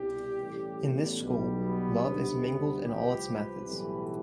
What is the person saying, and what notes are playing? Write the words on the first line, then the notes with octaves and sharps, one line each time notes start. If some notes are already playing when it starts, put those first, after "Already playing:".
In this school 'Love' is mingled in all its methods.
Already playing: C2 B2 G3 G4
A1 A2 G3
B3
B1 B2 G3
B3
D2 C3 G3
C2 C3 F3 G4
B4
B1 A2 E3 G3